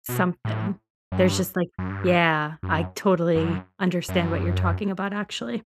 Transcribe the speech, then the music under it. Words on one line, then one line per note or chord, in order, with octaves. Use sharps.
Something. There's just like yeah, I totally understand what you're talking about, actually.
B2
A2
F#2
G2
F#2
G2
F#2
F#2
F#2